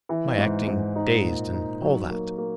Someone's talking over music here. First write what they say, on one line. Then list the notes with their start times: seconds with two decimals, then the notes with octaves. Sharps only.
"My acting dazed and all that?"
0.09 E3
0.38 G#2
0.67 G#2
0.96 D#4
1.24 A#2
1.53 D#4
1.81 F#3
2.10 A#3
2.38 A#3